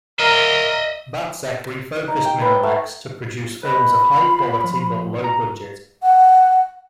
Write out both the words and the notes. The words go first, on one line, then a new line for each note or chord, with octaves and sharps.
Battsek refocused Miramax to produce films of high quality but low budget.
A#4 D#5 E5
D#4
G5
B4
A3
B4 D#5 B5
F4
F3
A#5
F#5